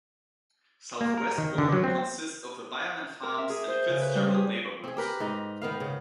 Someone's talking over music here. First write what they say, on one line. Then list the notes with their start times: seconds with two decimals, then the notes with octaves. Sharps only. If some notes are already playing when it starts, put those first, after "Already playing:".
Southwest Warren consists of the Beierman Farms and Fitzgerald neighborhoods.
1.01 A#3
1.17 A#4
1.38 D#3
1.58 D3
1.72 F#3
1.84 C4
3.23 A#4
3.38 E5
3.50 G#4
3.68 C5
3.89 C#3
4.02 B4
4.15 G3
4.34 G#4
4.84 C4 G#4
4.97 G4 A#4 B4
5.20 G#2 D#4
5.62 D#3 B3 F5
5.80 C#3